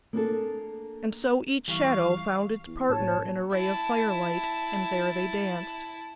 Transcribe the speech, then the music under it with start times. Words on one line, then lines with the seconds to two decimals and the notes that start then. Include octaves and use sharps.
And so each shadow found its partner in a ray of firelight, and there they danced.
0.13 A#3 D4 G#4 A4
1.68 E2 E3 G3 F5 C#6
2.67 E2
2.90 A#1 A2 C#5 A5
3.52 E4 A5